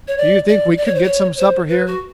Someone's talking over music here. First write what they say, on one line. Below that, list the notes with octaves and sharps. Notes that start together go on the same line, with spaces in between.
"Do you think we could get some supper here?"
C#5
D5
D5
D5
C#5
C5
C#5
C5
B4
F#4